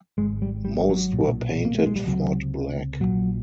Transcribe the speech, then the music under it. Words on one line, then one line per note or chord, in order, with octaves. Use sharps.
Most were painted Ford black.
G#1 G#2 G#3
G3
G3
F#3
B1 A#2
A#3
A3
G#3
G3
C#2 C3 F#3
A#1 A#2 F#3